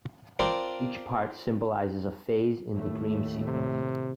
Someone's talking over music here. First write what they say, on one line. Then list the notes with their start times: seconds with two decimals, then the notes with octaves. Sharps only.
Each part symbolizes a phase in the dream sequence.
0.39 C4 D4 F4 A#4 C5 D5
2.73 D#2 A2 A3
3.47 C3